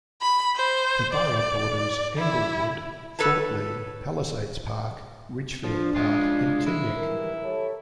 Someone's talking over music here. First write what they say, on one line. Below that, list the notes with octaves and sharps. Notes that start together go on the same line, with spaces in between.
The borough borders Englewood, Fort Lee, Palisades Park, Ridgefield Park and Teaneck.
B5
C5
D5
E4
A4 B4 C#5 A5
F3 D4
G#3 F4
E4
E3 G3 A#4
G4 A4 C#5